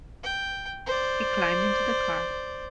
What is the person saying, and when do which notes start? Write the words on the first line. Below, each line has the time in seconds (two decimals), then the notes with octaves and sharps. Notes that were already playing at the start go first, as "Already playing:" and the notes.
He climbed into the car.
0.23 G5
0.86 C5 D5